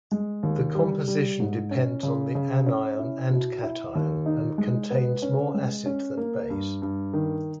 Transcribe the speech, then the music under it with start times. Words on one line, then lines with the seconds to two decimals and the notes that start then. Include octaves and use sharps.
This composition depends on the anion and cation and contains more acid than base.
0.12 G#3
0.43 D#2
0.75 G3
1.08 G3
1.40 G#2
1.71 C#4
2.03 C#3
2.35 C#3
2.66 C#4
2.99 E4
3.30 B2
3.63 E4
3.95 D#2
4.26 D#4
4.58 G#3
4.91 B3
5.22 C#4
5.54 G#3
5.86 C#4
6.17 A#3
6.50 G2
6.82 G2
7.13 D#3